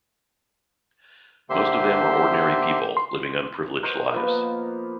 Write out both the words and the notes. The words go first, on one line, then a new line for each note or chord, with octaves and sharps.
Most of them are ordinary people living unprivileged lives.
D3 A#3 G4 C5 E5 C6
C6
F#4 A#4 C5 D#5
F3 A#3 B3